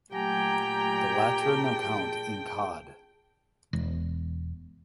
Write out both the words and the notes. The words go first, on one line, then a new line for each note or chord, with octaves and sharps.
The Lateran account in Cod.
A#2 F#3 A3 G4 G5 G#5 A#5
G#4 A5
E1